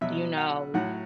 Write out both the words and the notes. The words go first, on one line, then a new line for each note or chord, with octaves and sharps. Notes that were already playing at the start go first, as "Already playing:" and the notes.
you know,
B2 F#3 E5
F#5
A2 F#3 F#5